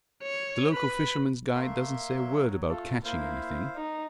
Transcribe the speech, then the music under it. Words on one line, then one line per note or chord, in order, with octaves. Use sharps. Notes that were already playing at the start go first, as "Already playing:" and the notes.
The local fisherman's guide doesn't say a word about catching anything.
C#5
B4 B5
A3 A#3 E5 C6
F#3
A3 F4 A4
A#3 E4 C5 F5
D#4